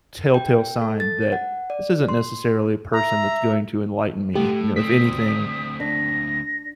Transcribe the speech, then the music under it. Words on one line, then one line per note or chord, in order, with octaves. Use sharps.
telltale sign that, "This isn't necessarily a person that's going to enlighten me." You know? "If anything,
G5
A4
A6
F#5
D5
C6
E5 A#5
D3 A3 B3 G4
A2
D2 C4 D#6 B6
D4 A#6